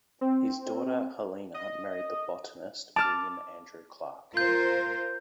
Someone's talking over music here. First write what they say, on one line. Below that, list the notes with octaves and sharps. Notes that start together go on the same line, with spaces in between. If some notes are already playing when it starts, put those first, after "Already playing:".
His daughter Helena married the botanist William Andrew Clark.
C4
D#5
A5 D6 F6
F4 A#4 C5 G6